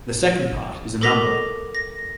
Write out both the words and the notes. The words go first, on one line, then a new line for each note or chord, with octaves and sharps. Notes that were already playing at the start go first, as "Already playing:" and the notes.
The second part is a number.
A4 A#4 D6 A#6 B6 F7
A#6